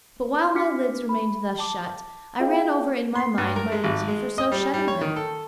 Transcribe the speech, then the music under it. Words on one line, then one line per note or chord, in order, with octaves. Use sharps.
But while my lids remained thus shut, I ran over in my mind my reason for so shutting them.
D4 F#4 D6 F6 B6 C#7
B5
A5 D6
F4 G#4 D#5 F5 G5
C6
G2
A#4
G#3
G#1
G#3
D#5
G3
G3
C#5
D#3
A4